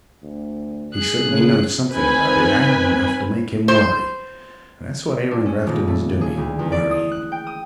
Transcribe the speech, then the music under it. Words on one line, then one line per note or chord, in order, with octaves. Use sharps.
But he certainly knows something about it, and enough to make him worry. That's what Aaron Grafton is doing--worrying.
D2
G#4 F#6
C#3
D#3 C4 B4 G#5 B5
C5
D4
C#4
D#1
A3
G#4
D2
E2
D5
D#6
F#6
G5
D#6